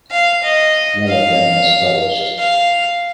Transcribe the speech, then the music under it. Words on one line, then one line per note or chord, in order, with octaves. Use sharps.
None of them was published.
F5
D#5
F5
F5